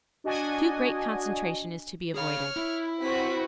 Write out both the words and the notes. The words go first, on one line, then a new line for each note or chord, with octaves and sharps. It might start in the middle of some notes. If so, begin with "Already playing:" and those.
Too great concentration is to be avoided.
D4 F#4 D#5 G#5
G#4 C#5 F5 F6
E4
C4 F#4 B4 B6